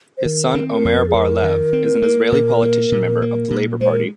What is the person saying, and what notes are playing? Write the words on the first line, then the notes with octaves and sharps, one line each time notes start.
His son Omer Bar-Lev is an Israeli politician member of the Labor Party.
C5
D#3 A#4
C4
A#4
F2
G#4
F2 A#4
D#3
C4
A#3
A#2
A#3
A#2
A#3
A#2
G#3 C5
A#4